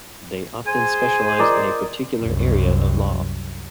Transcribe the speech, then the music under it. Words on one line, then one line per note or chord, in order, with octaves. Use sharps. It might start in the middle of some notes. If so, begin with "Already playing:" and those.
They often specialise in a particular area of law.
G#4 C5 G#5
A#4 D5 D#5
C2 F#2